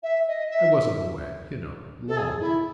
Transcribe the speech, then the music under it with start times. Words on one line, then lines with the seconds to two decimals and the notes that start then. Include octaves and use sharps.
"I wasn't away, you know, long."
0.03 E5
0.27 D#5
0.50 E5
2.07 A4
2.16 G#4
2.40 E4